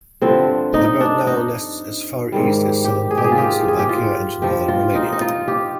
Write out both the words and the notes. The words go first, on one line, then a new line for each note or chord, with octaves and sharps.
The bird now nests as far east as southern Poland, Slovakia, and northern Romania.
G2 D3 F3 C4
D#4
D4
D#4
G#2 D#3 G3
G4
G#4
G4
G#4
F4
G4
G#4
G4
F4
G2 F3 G4
F4
D#4
D#4
F4
G4